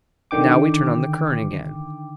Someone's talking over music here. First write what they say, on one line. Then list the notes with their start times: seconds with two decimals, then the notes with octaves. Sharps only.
Now we turn on the current again.
0.31 D3 D#3 G5 D6